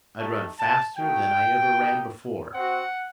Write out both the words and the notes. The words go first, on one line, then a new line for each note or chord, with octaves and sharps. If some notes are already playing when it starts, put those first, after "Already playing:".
I'd run faster than I ever ran before.
A3 D#4 G4 A5
A5
A3 D#4 F#4 G5
A#3 D#4 G4
C4 F#4 F#5